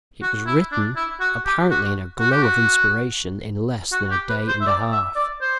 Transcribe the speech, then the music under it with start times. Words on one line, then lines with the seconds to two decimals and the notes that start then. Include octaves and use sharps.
It was written, apparently in a glow of inspiration, in less than a day and a half.
0.22 F#4
0.46 E4
0.71 D4
0.96 E4
1.20 F#4
1.46 G4
1.71 F#4
2.19 F#4
2.31 G4
2.42 F#4
3.92 F#4
4.11 G4
4.29 B4
4.48 C5
4.61 E5
4.66 D5
4.92 E5
5.15 D5
5.41 C5